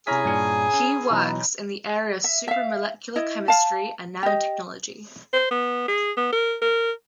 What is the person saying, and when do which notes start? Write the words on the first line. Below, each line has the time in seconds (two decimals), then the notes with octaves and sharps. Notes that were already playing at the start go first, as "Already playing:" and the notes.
He works in the area of supramolecular chemistry and nanotechnology.
0.07 C3 C#4 E4 G#4 A#5 B6
0.25 G2 A#2 D4 G#5
0.74 C#4
1.11 B2 E3 F#3 D#4 B4
2.24 E5
2.48 E5 F5
3.16 E4 D#5
3.48 F5 A5
4.23 G4 D#5
5.33 C5
5.51 B3
5.88 G#4
6.17 B3
6.32 A#4
6.62 A#4